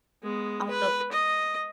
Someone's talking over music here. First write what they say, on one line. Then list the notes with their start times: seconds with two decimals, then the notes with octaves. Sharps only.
Off the
0.23 G#3 B3
0.69 B4
1.12 D#5